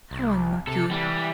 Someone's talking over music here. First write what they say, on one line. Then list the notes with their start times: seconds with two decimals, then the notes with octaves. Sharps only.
How unlucky!
0.11 C2
0.67 C3 A4
0.91 E3 G3